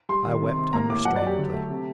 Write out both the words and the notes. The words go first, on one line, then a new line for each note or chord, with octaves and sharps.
I wept unrestrainedly.
G3 C6
D#3
C3
C3
A#3 A#5
A2 D6
F#3 F#5
D5
F#3
G4
D3
A3
C3